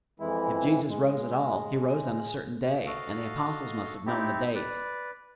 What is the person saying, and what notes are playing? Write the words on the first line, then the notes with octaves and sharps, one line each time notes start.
If Jesus rose at all, he rose on a certain day, and the apostles must have known the date.
F2 E3 G#3 E4
G#3
F#4 A4 D#5 F5
C4 D#4 E4 G4
B4 D5